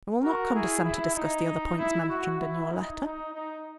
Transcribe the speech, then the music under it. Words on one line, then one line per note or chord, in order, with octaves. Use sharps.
I will not condescend to discuss the other points mentioned in your letter.
F#4 A#4
E4 G#4
E4
D#4
E4
F#4
E4
D#4
D#4
D#4